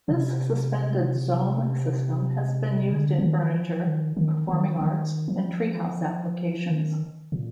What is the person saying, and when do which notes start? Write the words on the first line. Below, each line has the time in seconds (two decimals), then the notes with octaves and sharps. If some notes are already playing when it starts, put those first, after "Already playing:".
This suspended zome system has been used in furniture, performing arts, and treehouse applications.
0.08 C3
2.91 D3
3.19 F3
3.22 D#3
3.54 F3
3.86 D#3
4.17 D#3
4.49 D#3
4.81 D#3
5.28 F3
6.69 D#3
7.32 A#2